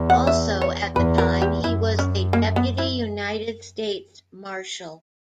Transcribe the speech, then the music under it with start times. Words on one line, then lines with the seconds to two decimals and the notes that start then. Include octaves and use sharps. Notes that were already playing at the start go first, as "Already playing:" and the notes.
Also at the time he was a Deputy United States Marshal.
Already playing: E2
0.10 F#5
0.27 E5
0.61 C#5
0.95 E2 B4
1.18 A#4
1.42 G4
1.64 F#2 E4
1.99 C#4
2.33 A#3
2.56 B3
2.78 E4